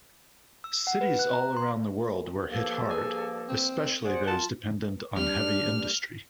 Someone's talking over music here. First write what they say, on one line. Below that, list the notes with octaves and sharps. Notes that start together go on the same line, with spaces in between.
Cities all around the world were hit hard, especially those dependent on heavy industry.
E6
F#5
B4
F#6
A#5
C6
G2 F3 A#3 A4
G#4
C4
G#4 C5 D5 F#5
F4 A5
G3 D4 B4 F6